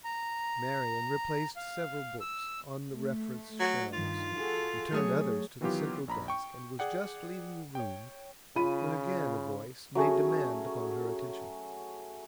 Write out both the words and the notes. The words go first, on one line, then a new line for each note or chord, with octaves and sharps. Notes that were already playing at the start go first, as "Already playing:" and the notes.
Marian replaced several books on the reference-shelves, returned others to the central desk, and was just leaving the room, when again a voice made demand upon her attention.
A#5
F5
E6
A3
F#3
G2 D#3 F4
F#4 G#4 A4
F#3 A3 G#4 C#5
D#3 E3 F#3 B3 F4 G4
A#1 A#5 B5
G5 C#6
G#4 D5 F#5 G5
C#5 G5
C#3 F4 B5 D#7
F#3 A3 C#4 G#4